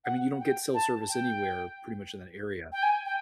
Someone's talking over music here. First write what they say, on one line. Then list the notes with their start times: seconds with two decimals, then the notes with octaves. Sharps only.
I mean, you don't get cell service anywhere pretty much in that area.
0.05 F#5
0.40 G5
0.74 A5
1.09 G5
2.72 G5
2.82 G#5
3.05 G5